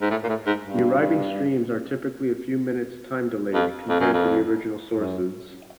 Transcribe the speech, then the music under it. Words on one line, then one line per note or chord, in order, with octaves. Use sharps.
The arriving streams are typically a few minutes time-delayed compared to the original sources.
G#2
A2
A#2
A2
G#2
G2
F2
F2
F#2
F2
F#2